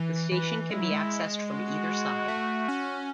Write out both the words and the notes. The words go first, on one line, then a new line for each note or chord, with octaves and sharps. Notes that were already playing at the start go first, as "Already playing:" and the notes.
The station can be accessed from either side.
Already playing: E3
E3 B4
G#3 E4
F#3
G#3
F#4
A3
C#4